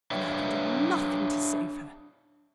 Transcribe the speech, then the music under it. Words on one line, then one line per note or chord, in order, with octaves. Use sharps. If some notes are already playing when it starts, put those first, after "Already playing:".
And I can do nothing to save her.
D4 B4 C#5 E5 F5 G5